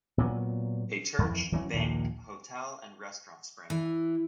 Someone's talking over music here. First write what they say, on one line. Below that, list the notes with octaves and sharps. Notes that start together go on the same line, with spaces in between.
A church, bank, hotel and restaurant sprang up.
A#2 F#3 B3
F2 E3
E3 F#3 A#3 C#4
A#1 D#2 A#2
E3